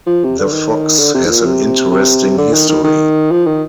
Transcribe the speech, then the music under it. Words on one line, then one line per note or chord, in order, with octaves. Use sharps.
The Fox has an interesting history.
F3
C3
D3
D#3
D3
C3
G#2
A#2
C3
C3
D3
D#3
D#3
D#3
F3
D#3